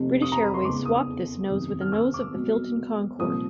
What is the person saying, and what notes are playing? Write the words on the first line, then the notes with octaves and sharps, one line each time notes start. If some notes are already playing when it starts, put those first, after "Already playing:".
British Airways swapped this nose with the nose of the Filton Concorde.
Already playing: F1 F2 C3
D#6
A#5
B5
C6
E2 C#3 E3 D6
D#6
F#1 E2 C3 D#3
F6
E6
D6
C2 B2 F#3
C2 A#2 F3 D#6